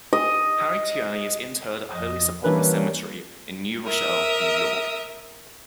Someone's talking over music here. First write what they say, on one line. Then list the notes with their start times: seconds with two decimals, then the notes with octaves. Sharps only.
Harry Tierney is interred at Holy Sepulchre Cemetery in New Rochelle, New York.
0.13 D#5
1.93 F2 D#5
2.44 E3 G3 A#3 C#4 D4 B4
3.86 A#4 E5 D#6